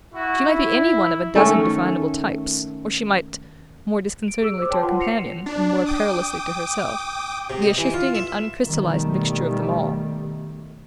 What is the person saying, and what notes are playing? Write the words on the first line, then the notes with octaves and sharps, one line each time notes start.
She might be any one of a dozen definable types, or she might--more disconcertingly to her companion and more perilously to herself--be a shifting and uncrystallized mixture of them all.
E4 F#4
E4
D#3 A3 C#4 A4
D7
G#4 E6
C5 D6
C#5 G5 A5 C6
F4 B4 F#5
A#6 C7 C#7 F7
D4
G5 D6 D#6
C3
D#5
E3
F4
E5
B2 D#3 G3 A3